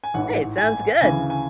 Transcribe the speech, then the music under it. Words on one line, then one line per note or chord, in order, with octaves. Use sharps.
Hey, it sounds good.
G#5
A1 G#2 E3 F#5
G#5
D2 C#3 E3 G#5
G#5